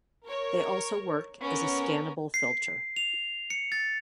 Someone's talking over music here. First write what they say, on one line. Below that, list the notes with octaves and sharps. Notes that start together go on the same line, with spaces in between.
They also work as a scannable filter.
A#4 C#5
B3 C#4 A#4
C7
F7
C#7
A6